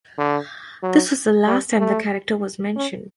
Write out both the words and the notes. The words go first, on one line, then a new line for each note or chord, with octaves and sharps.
This was the last time the character was mentioned.
D3
F#3
G3
A3
C#4